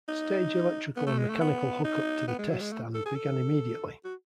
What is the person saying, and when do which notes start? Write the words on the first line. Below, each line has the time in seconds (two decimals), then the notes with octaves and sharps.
Stage electrical and mechanical hook-up to the test stand began immediately.
0.08 D#4
0.97 B3
1.07 A3
1.18 G#3
1.29 A3
1.41 B3
1.84 D#4
2.28 B3
2.39 G#3
2.49 F#3
2.60 G#3
2.72 A3
2.95 A4
3.06 G#4
3.16 A4
4.04 F#4